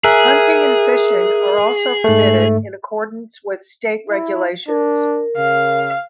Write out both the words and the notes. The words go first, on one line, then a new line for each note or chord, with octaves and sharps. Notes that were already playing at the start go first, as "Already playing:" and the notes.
Hunting and fishing are also permitted in accordance with state regulations.
G#4 A#4 E5 F#6
G#2 A3
E4
D4 A#4
C#3 F5